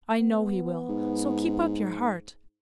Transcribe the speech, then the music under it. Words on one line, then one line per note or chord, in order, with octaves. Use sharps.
I know he will; so keep up your heart.
B3
G#2